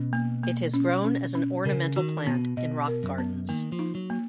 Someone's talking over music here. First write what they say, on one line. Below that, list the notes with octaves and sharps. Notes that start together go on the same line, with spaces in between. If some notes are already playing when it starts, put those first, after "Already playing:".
It is grown as an ornamental plant in rock gardens.
Already playing: B2 C#4
A#3
A#3
C#4
C#4
C#4
C#3 A#4
D#3 F#4
B2 B3
B2 D#5
A#4
F#2
B3
D#3 A#3
F3
D#4
F#3
A#3